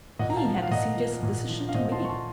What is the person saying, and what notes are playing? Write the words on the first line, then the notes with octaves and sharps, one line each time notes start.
He had a serious decision to make.
A#2 D#5 F#5
A#5
F5 A5
F3
F#5
F5
A#2 D#5 F#5
F3
A#2
F3
F5
A#2 C5 D#5
A5 C6
F3 C#6
A5 C6